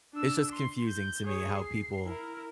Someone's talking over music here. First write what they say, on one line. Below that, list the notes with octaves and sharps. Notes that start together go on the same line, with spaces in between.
it's just confusing to me how people
D4 E6
C6
G6
G#4 C#5
C7
E4 A#4